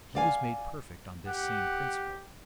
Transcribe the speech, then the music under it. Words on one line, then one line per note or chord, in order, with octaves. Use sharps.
He was made perfect on this same principle.
D5 F5 G#5
G4 F#5